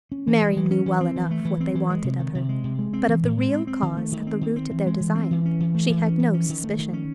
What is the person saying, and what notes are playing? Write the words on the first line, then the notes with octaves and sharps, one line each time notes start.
Mary knew well enough what they wanted of her; but of the real cause at the root of their desire she had no suspicion.
C#4
E3
G#3
E3
C#4
E3
C4
E3
A3
E3
C4
E3
G#3
C3
D#3
C3
G#3
C3
G#3
C4
E3
A2
G#3
C4
C4
D#3
A3
D#3
C4
D#3
C4
E3
G#3
E3
C4
E3
C#4
E3
A3
E3
C#4
E3
C#4
D#3
A3
D#3
C#4